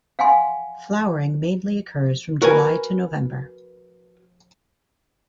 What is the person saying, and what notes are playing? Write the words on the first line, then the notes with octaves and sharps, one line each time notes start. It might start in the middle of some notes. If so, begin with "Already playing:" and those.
Flowering mainly occurs from July to November.
F5 F#5 G#5 C6
F#4 A#4 B4 G#5